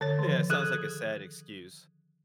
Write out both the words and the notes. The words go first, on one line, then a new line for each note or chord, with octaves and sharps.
Yeah, it sounds like a sad excuse.
D3 C#5 A6
D#3 F3
G#4 A4 D#6 F#6 G#6